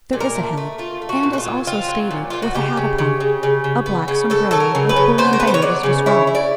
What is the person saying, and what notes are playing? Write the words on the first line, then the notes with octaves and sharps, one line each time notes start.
There is a head; and, as also stated, with a hat upon it--a black sombrero, with bullion band as described.
A#2
A#4
A3
A3
A3 F4
A3
F#4
A#2
F#4
F4
F#3
C4 F4
F#3
A#2
A#2 F4
F#4
C#3 G4
C#3
C#3
C#3
C#3
C#3
B3
C#3
C#3 A4
F#3 A4
A#4
C#3
B4
C#3
B3 C5
A#4
B3 B4
C5
C#5
F#3 D5
C#3
E4 C#5
E4
D5